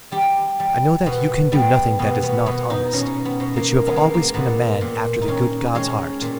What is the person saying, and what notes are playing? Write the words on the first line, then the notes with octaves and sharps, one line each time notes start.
I know that you can do nothing that is not honest, that you have always been a man after the good God's heart.
G3 G4
G3
B2 B3
G3 B3
B2 B3
B3
B2 B3
D#4
B2 C#4
B3
B2
A#3
G#3 B3
A#3
A#3
A#2 B3
A#2
D#4
G#3 C#4
G#3 C#4
A#2